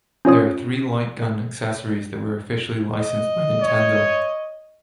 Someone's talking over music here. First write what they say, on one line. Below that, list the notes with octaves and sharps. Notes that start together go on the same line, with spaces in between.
There are three light gun accessories that were officially licensed by Nintendo.
C#4 F4 C#5 D#6
D#5
C#5